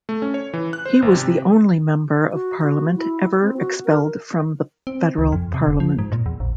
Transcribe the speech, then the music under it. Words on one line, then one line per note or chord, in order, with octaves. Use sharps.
He was the only Member of Parliament ever expelled from the Federal Parliament.
A3
C#4
C#5
E3
F#6
C5
G#1
C3
F#4
F#4
E4
C4
F#4
A#4
C4
C#2
F2
C3
F1
F3
G#2
A#2
E2
A#1